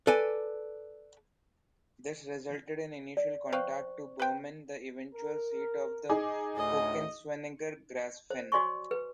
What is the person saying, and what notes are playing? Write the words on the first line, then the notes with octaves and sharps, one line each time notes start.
This resulted in initial contact to Böhmen, the eventual seat of the Hückeswagener Grafen.
A4 B4 D5 G#5
D5
B4 C5 F5 G5 C#6
B4 G5
A#4
D#4 G#4 D6
D2 A2 D#5
C5
F#4 C#5 D5 G#5 C6 C#6
B4